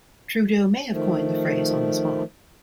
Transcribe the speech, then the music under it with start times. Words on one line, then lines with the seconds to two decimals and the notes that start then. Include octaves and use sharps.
Trudeau may have coined the phrase on the spot.
0.92 D#3 F3 A3